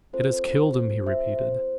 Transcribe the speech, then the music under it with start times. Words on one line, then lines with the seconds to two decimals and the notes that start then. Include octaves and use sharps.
"It has killed him!" he repeated.
0.13 C4 F4 A4 C5
1.06 C5 E5
1.38 C5